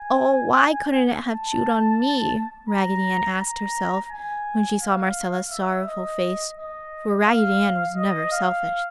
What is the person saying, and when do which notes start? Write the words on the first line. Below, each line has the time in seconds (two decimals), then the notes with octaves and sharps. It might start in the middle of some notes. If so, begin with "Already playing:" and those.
"Oh, why couldn't it have chewed on me?" Raggedy Ann asked herself when she saw Marcella's sorrowful face, for Raggedy Ann was never selfish.
Already playing: G#5
1.30 A5
2.70 A#5
3.40 A#5
4.11 G#5
4.81 F5
5.51 E5
5.87 D#5
6.57 D#5
7.27 F5
7.96 D#5
8.32 F5